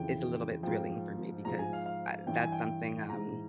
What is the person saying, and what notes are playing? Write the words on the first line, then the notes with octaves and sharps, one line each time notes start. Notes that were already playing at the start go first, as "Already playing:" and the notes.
is a little bit thrilling for me, because, uh, that's something, um,
Already playing: F2 C#3 E3 G5
G#2 F3 G5
G#2 F3 A#5
G#5
F5
F5
G2 E3 G5
G#5
G5
G#2 E3 A#5